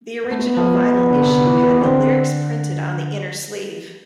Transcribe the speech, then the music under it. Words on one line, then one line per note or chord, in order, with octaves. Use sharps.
The original vinyl issue had the lyrics printed on the inner sleeve.
B3
A3
G#3 B3
F3
G#3
F3
D3
C3
D3
E3
E3
E3
D3 C4